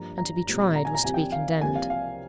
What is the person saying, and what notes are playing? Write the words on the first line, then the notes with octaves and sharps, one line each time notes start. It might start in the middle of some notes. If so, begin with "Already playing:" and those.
And to be tried was to be condemned.
Already playing: G2 F3 A#3 A#5
A#5
A#1 A#2 G3 C4
A#5
G#5
A#5
C2 C3 F3 G#5
G5
F5
C2 C3 F3 A#3 G#5
F5
F5